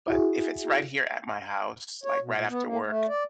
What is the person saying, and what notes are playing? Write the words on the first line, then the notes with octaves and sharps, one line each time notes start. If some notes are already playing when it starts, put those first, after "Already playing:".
but if it's right here at my house, like, right after work,
E4 F#4 G#4
C#5
B2
A#2
B3
A#3
A3
D5